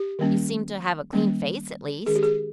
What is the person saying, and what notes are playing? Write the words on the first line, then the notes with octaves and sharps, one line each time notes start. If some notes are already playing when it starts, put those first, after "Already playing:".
"You seem to have a clean face, at least."
Already playing: G4
D#3 G3 A#3 C#4
D#3 G3 A#3 C#4
D#3 G#3 C#4 G#4
G4
G#4